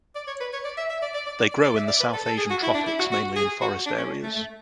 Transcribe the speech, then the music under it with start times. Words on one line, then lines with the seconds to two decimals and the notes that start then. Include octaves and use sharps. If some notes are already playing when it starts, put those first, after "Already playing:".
They grow in the South Asian tropics mainly in forest areas.
0.15 D5
0.27 C#5
0.41 B4
0.53 C#5
0.65 D5
0.77 E5
0.90 E5
1.02 D5
1.14 D5
1.26 D5
1.40 D5
1.52 D5
1.64 D5
1.76 E5
1.88 D5
2.00 B4
2.14 A4
2.26 A4
2.38 G#4
2.50 F#4
2.63 E4
2.74 D4
2.87 E4
2.99 F#4
3.12 F#4
3.36 G#4
3.62 F#4
3.86 D4
3.98 C#4
4.23 A3
4.35 A3